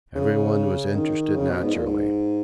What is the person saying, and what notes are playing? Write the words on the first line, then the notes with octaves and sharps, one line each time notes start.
Everyone was interested naturally.
C#3
D#3
C#3
B2
G#2
A#2
G#2